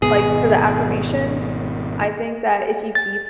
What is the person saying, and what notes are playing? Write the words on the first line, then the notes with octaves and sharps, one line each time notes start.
like, for the affirmations, I think that if you keep,
G#1 B2 B3 G#4
A6